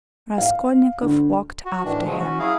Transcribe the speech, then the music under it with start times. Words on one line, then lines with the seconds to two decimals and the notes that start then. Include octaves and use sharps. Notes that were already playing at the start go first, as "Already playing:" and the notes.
Raskolnikov walked after him.
0.38 F5
1.02 D2
1.65 F#4
1.84 A2 D#3 E3 D4
2.04 B2 D3 F3 F#3 G#3 A3
2.18 C#4 F#4
2.39 F#3 E4 G#4 F5